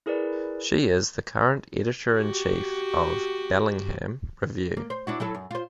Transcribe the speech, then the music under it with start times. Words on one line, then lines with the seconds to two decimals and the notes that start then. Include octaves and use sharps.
She is the current Editor-in-Chief of "Bellingham Review".
0.06 E4 G#4 A#4 B4 D5
2.13 F#4 G4
4.77 A#3
4.90 C5
5.07 D4 E4 F#4
5.20 F#3 E4 A4
5.35 F#2
5.51 F4 C5